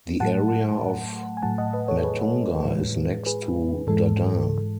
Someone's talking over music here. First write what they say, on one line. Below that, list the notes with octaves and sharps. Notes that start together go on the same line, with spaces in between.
The area of Matunga is next to Dadar.
A2 F#3 A3 F#5 A5
G#5
A2 F#3 A3 F#5 A5
D#5 F#5
B4 D#5
A4 C#5
G#4 B4
A2 E3 G#3
G#4 B4
G#2 E3 G#3 A4